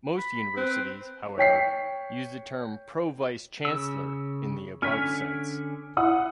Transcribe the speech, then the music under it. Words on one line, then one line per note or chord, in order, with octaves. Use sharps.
Most universities, however, use the term pro-vice-chancellor in the above sense.
B5
C4 B4
C#5 G5 B6 C7
C#3 E6
D3 C#4 G#5 F6 B6
E4 F#5 D#6